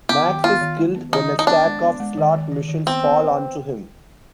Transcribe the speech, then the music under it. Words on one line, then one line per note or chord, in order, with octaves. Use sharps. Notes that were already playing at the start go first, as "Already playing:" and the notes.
Max is killed when a stack of slot machines falls onto him.
B3 G4
D#3
B3 F4
D#3
G#3
B3
D#3 D#4
G#3
D#4
B3 D4
G#3
B3
G#3
D#3
D#3
D#3
D#3
B3 C4
B3
B4